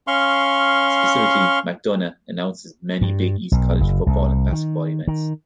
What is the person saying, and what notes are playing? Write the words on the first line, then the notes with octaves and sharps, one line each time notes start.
Specifically, McDonough announces many Big East college football and basketball events.
C#4 F5 C6 C#6 F6
G2
B1
F#1
C2
D#3
D#3